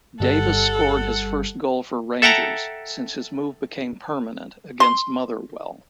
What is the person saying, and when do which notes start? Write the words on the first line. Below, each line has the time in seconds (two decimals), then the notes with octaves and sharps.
Davis scored his first goal for Rangers, since his move became permanent, against Motherwell.
0.20 G1 G3 A4 F#5
2.22 A4 E5 F#5 G5 A5 A#5
4.80 C6